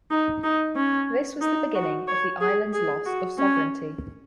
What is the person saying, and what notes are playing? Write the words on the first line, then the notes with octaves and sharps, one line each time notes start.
This was the beginning of the island's loss of sovereignty.
D#4
D#4
C#4
D#4
F#4
C#5
G#4
G#4
F#4
C#4